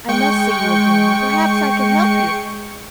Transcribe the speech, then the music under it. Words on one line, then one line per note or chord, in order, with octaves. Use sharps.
I must see you again; and perhaps I could help you.
G#3 G5 C#6 C#7